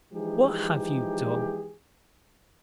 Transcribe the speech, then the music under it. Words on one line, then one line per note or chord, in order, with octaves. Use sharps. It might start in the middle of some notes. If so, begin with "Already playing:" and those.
What have you done?
E3 F3 G#3 D#4 G4 G#4